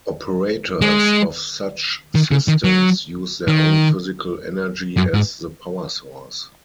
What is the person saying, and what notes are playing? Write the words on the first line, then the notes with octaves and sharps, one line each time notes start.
Operators of such systems use their own physical energy as the power source.
G#3
D#3
C#3
D#3
F#3
D#3
F#2
G#2